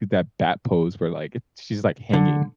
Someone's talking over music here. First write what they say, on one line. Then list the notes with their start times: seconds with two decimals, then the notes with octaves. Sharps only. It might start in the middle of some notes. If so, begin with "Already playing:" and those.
do that bat pose where, like, it she's, like, hanging
2.13 D3